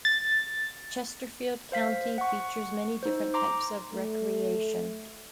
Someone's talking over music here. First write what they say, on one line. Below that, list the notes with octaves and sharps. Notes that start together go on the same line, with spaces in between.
Chesterfield County features many different types of recreation.
A6
C5 F5 B6
F#5 C#6
D#4 C5
A#5 C6 D6
A3